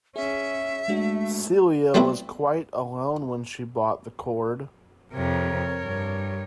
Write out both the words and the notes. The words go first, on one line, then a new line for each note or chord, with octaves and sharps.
Celia was quite alone when she bought the cord.
C#4 G#4 E5
G#3 A3 D4 F#4
F#3 A3 B3 C4 D4 E4
F2 C3 A#4 C#5
G2